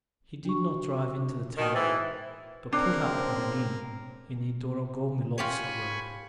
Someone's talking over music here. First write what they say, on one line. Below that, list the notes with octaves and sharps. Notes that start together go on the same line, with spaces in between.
He did not drive into the town, but put up at an inn in the Dorogomilov suburb.
D4 F#4 C#6
B2 D#3
G#2 E3 C5 E5 A6
C#3 A#3 C4 D4
F4 G4 C#5 G#5 B5 C#6